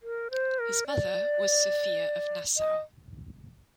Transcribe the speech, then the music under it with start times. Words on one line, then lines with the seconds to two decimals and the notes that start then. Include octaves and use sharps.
His mother was Sophia of Nassau.
0.03 A#4
0.31 C5
0.59 A#4
0.87 D5
2.57 D#5